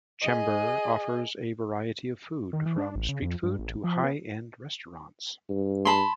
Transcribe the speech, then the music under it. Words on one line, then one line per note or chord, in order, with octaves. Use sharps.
Chembur offers a variety of food from street food to high end restaurants.
G#4 D#5
D#3
E3
D4
A1
C#3
F2
G2
A1
F3
B3
G2
A5 B5 C6